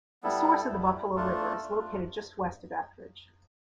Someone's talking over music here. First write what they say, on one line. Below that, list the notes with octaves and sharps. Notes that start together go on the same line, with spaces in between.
The source of the Buffalo River is located just west of Ethridge.
G3 B3 E4 A4
G3 B3 E4
A3 D4 F4 A4
A3 D4 F4